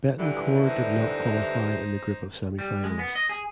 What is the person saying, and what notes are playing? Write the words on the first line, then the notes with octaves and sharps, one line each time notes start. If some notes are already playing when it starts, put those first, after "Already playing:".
Betancourt did not qualify in the group of semifinalists.
G2 D3 E3
D#4 C5
G3
G#3
B3
D#5
G#4